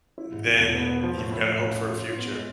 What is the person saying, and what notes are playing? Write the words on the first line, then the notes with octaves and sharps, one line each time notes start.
then you've got a hope for a future.
E4
G#2
E1
E1
B3
B3
F3
A2
A2
A2
A1
A1
F4
F4
B3
G#3